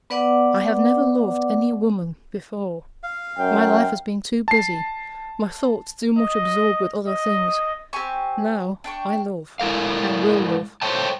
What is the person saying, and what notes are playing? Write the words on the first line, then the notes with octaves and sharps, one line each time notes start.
I have never loved any woman before: my life has been too busy, my thoughts too much absorbed with other things. Now I love, and will love.
B3 B4 D5 F#5 D6
F5
F#2 G5
A5 C7
D#5
D#5
C4 G4 G#5 C#6
D4 G5 C#6
G#3 E4 A4 A#4 F5
A4 C5 C#5 G5 A5